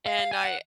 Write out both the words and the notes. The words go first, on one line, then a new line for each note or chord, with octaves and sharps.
and I
F5
F5
G#5
F#5